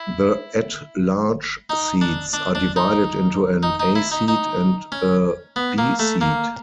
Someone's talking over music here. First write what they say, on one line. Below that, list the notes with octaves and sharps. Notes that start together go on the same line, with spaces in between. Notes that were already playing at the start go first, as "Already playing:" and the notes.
The at-large seats are divided into an "A" seat and a "B" seat.
Already playing: E4
D#4
D4
D4
D4
D#4
D#4
D#4
E4
D#4
D#4
C#4
B3
A#3
A3
A#3